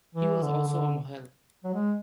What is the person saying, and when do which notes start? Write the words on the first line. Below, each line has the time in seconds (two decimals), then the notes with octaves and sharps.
He was also a mohel.
0.15 E3
0.42 D3
0.68 D3
1.64 F#3
1.74 G#3